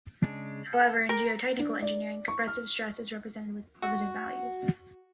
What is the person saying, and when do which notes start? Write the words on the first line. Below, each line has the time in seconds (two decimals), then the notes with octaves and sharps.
However, in geotechnical engineering, compressive stress is represented with positive values.
0.23 C#3 G#3 D4
0.73 A4
1.09 A#4 G5 A#5 D6
1.59 D4
1.82 D5
2.28 C#6
2.47 F6
3.82 F#4